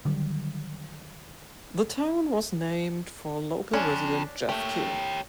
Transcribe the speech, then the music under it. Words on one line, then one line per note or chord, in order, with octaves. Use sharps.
The town was named for local resident, Jeff King.
D3 D#3 F#3 G3
F2 G#2 C#4 D4
A3 G4 C#5